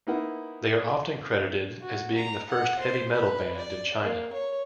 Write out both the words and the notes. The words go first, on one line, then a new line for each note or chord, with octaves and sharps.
They are often credited as being the first heavy metal band in China.
A#3 B3 D#4 E4 B4 F#5
F#4
A#5
F#5
C5
B4
D5
A#3
C#5